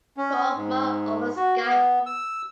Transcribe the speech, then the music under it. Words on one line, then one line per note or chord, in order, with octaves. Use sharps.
Call Marc over Skype.
C#4
G#2
F#4
B3
E6